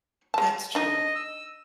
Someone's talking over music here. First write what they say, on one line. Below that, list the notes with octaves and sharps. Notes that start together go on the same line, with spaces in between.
That's true.
G#3 A5
D4 D#4 D#5
E6